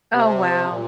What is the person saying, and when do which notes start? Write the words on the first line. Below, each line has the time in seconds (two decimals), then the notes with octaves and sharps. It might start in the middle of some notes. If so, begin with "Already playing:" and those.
Oh, wow.
0.14 C3
0.68 A#2